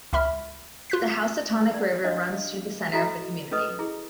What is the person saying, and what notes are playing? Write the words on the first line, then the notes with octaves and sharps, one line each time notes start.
The Housatonic River runs through the center of the community.
C#2 E5 B5 F6
F4 F#6 B6
D5 F#5
D4 D#5 F5
E4 F#4 A4 D#5 A#5 B5
C#4 A4 B4 D#5 D#6
E4 G#4